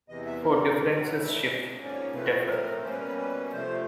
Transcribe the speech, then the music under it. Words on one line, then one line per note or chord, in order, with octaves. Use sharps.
For differences shift, defer.
E2 C3 E3 D#5
E5
A#4
A4
D5
A2 E3 G3 D#5
F#5
E5
G#2 F3 A#3 C#4 D#5
D5
C#5
A2 F3 A3 C4 B4
A#4
B2 G3 A#3 C#4 C5
B4
A#4
B4
B4
C3 F3 A3 C5